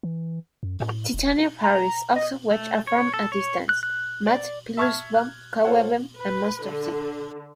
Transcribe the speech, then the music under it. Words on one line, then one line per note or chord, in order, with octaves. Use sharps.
Titania's Fairies also watch from a distance: Moth, Peaseblossom, Cobweb and Mustardseed.
E3
F#2
A2
E1
A#5
D#5
A3
C#5
A4
C#5
F#6
F#6
D5
E5 A5 C#6 F6 G#6
F#6
F4 A4 C5 C#5 F#5
B4
D3